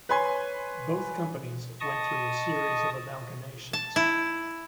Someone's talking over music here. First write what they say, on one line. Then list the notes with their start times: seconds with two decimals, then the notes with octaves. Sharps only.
Both companies went through a series of amalgamations.
0.09 B4 C#5 G#5 C6 G#6
1.80 D#5 A5 C#6 D#6
3.73 A5
3.96 E4